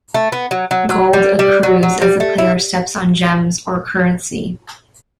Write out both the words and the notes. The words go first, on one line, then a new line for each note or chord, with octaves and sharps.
Gold accrues as the player steps on gems or currency.
A3
B3
F#3
F#3
F#3
G3
G3
F#3
F#3
G3
A3
E4